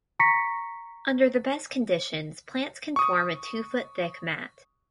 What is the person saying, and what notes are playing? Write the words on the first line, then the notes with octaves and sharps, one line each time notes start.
Under the best conditions plants can form a two-foot-thick mat.
A#5 C#6 A#6 B6 C#7
C#6 D#6